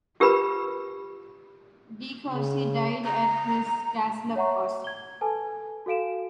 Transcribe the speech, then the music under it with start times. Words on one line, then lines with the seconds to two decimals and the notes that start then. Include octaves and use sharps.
De Coucy died at his castle of Coucy.
0.20 F4 G4 A#4 B4 B5
2.28 C#3
3.05 A#5
4.36 C#5 E5 F#5 A#5 C#6
4.84 G#6 G7
5.21 A4 B4 G#5 A5
5.86 F#4 A4 F5 D7 E7